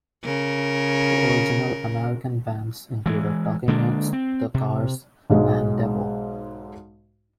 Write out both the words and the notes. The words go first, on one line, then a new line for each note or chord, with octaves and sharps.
The original American bands included Talking Heads, The Cars, and Devo.
C#3 A#4
E3 G#3
D3 G#3 A#3 D4
C4
C3
B1 G#2 G#3